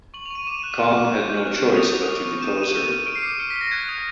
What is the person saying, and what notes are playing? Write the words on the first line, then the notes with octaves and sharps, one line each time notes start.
Cong had no choice but to depose her.
C#6 F#7
F7
C#6 D#7
D6 E7
F#6 D#7
F6 E7
D6
G6
G6
F#6
C#6
D#6 F7
D#6
C#6
C#6
G6 E7
D#6 D#7
G6 D#7
C#6
F6 D7
C7
D6 C#7
F6 C#7
B6
F6
A#6
F#6 G#6
D#6